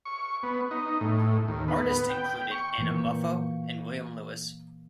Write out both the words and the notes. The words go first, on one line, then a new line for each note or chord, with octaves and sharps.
Artists included Anna Moffo and William Lewis.
C#6
B3
D#4
A2
D#2
B3
G5
C#6
A#2 E3 A#3